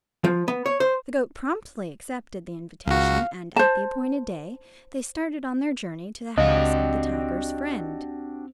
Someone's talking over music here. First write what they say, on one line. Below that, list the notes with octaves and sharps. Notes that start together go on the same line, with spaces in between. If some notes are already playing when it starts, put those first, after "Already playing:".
The goat promptly accepted the invitation and at the appointed day they started on their journey to the house of the tiger's friend.
F3
B3
C#5
C5
C#2 F#4 F5
C5 A5
C#2 C4 D4 F#4 G4 D#5 F5